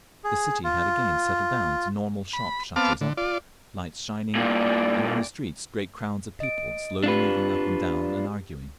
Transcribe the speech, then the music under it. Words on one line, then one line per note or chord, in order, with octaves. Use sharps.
The city had again settled down to normal--shop-shutters up, lights shining, and on the streets great crowds of people slowly moving up and down and arguing....
G#4
F4
B5
B3 C4 F5 A5 D6 F6
D3
F4 D5
G2 A#2 D5
D#5 D7
C4 D4 F4 G4 B4